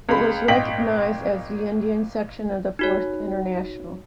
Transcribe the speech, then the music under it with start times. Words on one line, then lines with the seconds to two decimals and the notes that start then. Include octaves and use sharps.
It was recognized as the Indian section of the Fourth International.
0.09 C#2 G#3 B5
0.48 G#1 A#2 D#5 G5 B6 F#7
2.79 D#4 F#4 C#5